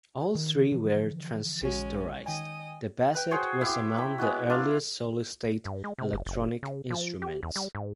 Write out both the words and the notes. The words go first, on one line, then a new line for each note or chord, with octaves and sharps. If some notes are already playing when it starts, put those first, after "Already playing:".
All three were transistorized; the Basset was among the earliest solid-state electronic instruments.
D#3
D3 E3 F3
A#1 G#3 C#4 F#4
D#3 D#5 G5 G#5 D#6
B4 G5
F#4 G#4 C5 C#5
E4 G4
C4 A#5 B5
G#3 B3 E4 F#4
D4 E4 F4 A#4
G2
G#3
C3
F#1
F#1
C#3
F3
G4
E2
G3
G#2